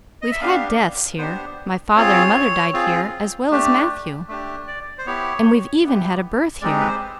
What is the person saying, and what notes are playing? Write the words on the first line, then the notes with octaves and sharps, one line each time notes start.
We've had deaths here--my father and mother died here as well as Matthew; and we've even had a birth here.
D#5
E5
B3 D4 G4 F5
B3 D4 G4 C5
C4 F4 G#4 C#5
C4 F4 G#4
A3 D4 G4
A3 D4 G4
D5
C5
B3 E4 G4 C#5
B3 E4 G4
G#3 C4 D#4 G4 D5
B4
C5